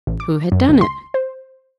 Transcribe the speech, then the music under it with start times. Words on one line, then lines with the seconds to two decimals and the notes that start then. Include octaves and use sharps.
Who had done it?
0.07 A1
0.20 D6
0.52 F#2
0.69 C#2
0.81 C6
1.14 C5